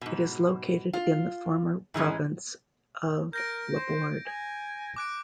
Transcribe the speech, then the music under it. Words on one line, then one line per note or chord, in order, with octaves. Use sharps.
It is located in the former province of Labourd.
G#2 B2
F4
G#2 E3 G#3 C#4
A#4 G6 A#6 D7
C5
G#5
D6 F#6 D7